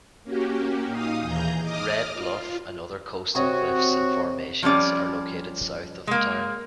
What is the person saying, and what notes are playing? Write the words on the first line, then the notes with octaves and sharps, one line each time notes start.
Red Bluff and other coastal cliffs and formations are located south of the town.
A#3 C#4 F#4 G4
A#2 D#4 F5 D#6
D#2 E3 G#4 A#5 G6
D#5 D6 D#6 F6
F4
C3 F#4 C#5 D#5
F3 G3 C#4 D5
G#3 A#3